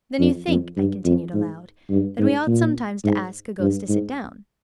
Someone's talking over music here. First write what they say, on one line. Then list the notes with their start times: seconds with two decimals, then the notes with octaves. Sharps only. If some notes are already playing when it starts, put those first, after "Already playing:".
Then you think," I continued aloud, "that we ought sometimes to ask a Ghost to sit down?
0.19 F2
0.48 F2
0.77 G2
1.05 F2
1.33 G#2
1.90 G2
2.19 G#2
2.47 A#2
3.04 G#2
3.60 G2
3.89 G#2